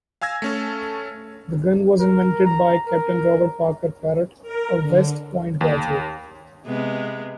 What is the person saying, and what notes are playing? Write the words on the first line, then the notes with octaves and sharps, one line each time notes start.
The gun was invented by Captain Robert Parker Parrott, a West Point graduate.
F5 G#5 E6 G#6 A#6
A3 C#4 A4
A#4
A#5
A#4
A#4
D3
D#2
C3 G#3 B3